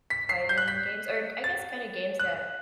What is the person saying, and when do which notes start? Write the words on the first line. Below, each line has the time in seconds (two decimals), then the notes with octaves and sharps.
fighting games or I guess kinda games that
0.10 B6
0.29 C7
0.49 G6
0.58 F#6
0.68 B6
1.44 A6
2.20 F#6